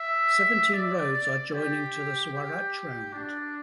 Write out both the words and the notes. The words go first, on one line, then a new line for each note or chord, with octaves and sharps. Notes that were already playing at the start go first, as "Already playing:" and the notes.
Seventeen roads are joining to the Swaraj Round.
Already playing: E5
D5
D5
G4
G4
D4